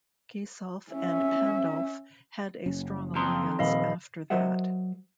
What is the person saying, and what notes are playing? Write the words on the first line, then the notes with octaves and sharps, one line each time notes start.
Gisulf and Pandulf had a strong alliance after that.
C#4 E5
F#1 C#4
F2 A#5 C6 D#6
D#1 D#5 F5 B5 E6
F#3 A#4 C5 D#5 E5 F#5